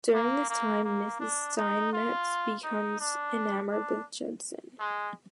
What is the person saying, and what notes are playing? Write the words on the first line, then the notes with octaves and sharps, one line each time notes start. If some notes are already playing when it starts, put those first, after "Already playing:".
During this time, Mrs. Steinmetz becomes enamored with Judson.
A#3
A#3
A#3
D4
D#4
F4
D#4
D4
D4
G#3